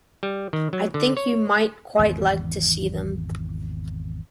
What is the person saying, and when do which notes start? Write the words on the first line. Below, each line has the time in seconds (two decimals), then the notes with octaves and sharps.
I think you might quite like to see them.
0.23 G3
0.53 D#3
0.73 F#3
0.94 D3
1.17 C#5
1.99 G#1 E2 C#3 E3